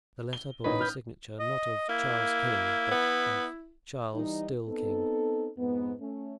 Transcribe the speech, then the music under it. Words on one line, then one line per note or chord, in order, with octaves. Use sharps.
The letter bore the signature, not of "Charles, King," but of "Charles--still king."
G7
A1 D#4 B4 C#5
D#6 F6 G6
D#5
A#3 E4
B3
E3 G3 D#4
B3 C4 D#4 A4
F2 G#2 B3
A3 C#4